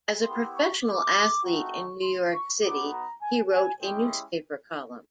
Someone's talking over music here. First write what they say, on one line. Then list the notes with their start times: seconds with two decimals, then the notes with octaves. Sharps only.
As a professional athlete in New York City, he wrote a newspaper column.
0.23 B3 E4 G4 C6
0.53 C#6
0.83 D6
1.43 A3 C4 D#4 F#4
1.73 C#6
2.02 C6
2.31 C#6
2.62 B3 D#4 F#4 D6
2.92 A#5
3.22 G#5
3.51 G#5
3.81 G#3 C#4 E4 G4 G5